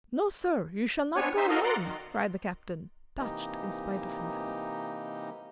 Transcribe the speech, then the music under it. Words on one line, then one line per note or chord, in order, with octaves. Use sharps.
"No, sir, you shall not go alone," cried the captain, touched in spite of himself.
B3 C4 D4 C#5 G#5
D#4 C5 E5
F#4 A4 A#4 D#5 F5
D5 F#5 A#5 C6 D6
D#3
C3 E3 A#3 D#4 G4 D#5